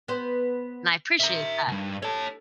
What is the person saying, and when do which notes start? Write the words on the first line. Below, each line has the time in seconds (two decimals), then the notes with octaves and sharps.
And I appreciate that.
0.08 B3 C5
1.20 D#3 E5 A#5
1.68 C#2 G2
2.02 A4 C#5 A5